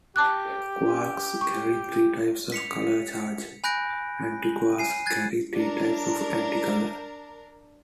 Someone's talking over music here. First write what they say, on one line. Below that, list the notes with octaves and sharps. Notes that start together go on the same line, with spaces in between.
Quarks carry three types of color charge; antiquarks carry three types of anticolor.
G4 A5 D6 F#6
C#6
B6 C#7 F7
G#5 B5 F#6 G6 A#6 D7
G#5 C7 D#7
F#6 G#6 A6
D4 A#4